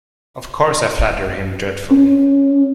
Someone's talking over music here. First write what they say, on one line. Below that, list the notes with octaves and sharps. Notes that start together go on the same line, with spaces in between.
Of course I flatter him dreadfully.
C#4